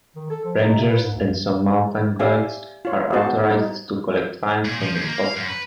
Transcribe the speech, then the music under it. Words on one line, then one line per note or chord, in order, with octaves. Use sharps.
Rangers and some mountain guides are authorized to collect fines on the spot.
D#3
A4
F3
D#4
C3
B4
G#2
D2
G4 D5 E5 F5 G#5
F4 C#5
B3 F#4 G#4 C5 F#5 A5
G3 D#4
A#2
F3
D#2
A#3
F5
F#2
B4